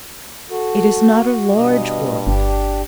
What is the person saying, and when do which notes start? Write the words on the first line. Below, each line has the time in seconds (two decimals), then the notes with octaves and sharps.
It is not a large world.
0.50 F#4 A4
1.55 G2 B2 D#5
2.27 G1 D4 G4